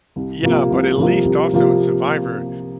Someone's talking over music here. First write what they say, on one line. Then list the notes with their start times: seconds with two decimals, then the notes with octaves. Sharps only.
Yeah, but at least also in survivor,
0.16 C2
0.43 C3 F3 A#3 F4
0.71 C2
0.98 C3 F3 A#3 F4
1.25 C2
1.53 C3 F3 A#3 F4